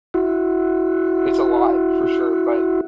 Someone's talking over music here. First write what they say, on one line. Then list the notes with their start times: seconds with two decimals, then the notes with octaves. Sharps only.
it's a lot, for sure, but
0.14 E4 F#4